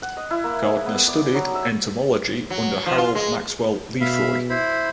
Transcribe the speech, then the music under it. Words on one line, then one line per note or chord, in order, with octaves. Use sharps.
Gardner studied entomology under Harold Maxwell Lefroy.
F#5
D#5
E4
A#3
G#4
B3
D5
F#3
E5
F#3
F3
F4
G#3
B2 E5 F5 B5
E4 C5 B5